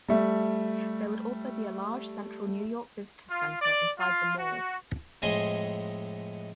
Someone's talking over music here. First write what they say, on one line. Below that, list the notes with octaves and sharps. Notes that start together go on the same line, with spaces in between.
There would also be a large Central New York Visitors Center inside the mall.
G3 A3
F4
D5
F4
F#4
F2 A2 G#3 D#5 G#5 C6